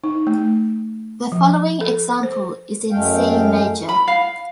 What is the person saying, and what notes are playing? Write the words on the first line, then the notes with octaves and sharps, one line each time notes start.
The following example is in C major.
D#4
A3
F3
A4
C5
F#2 G#3 A3 F5 G5
B5
F5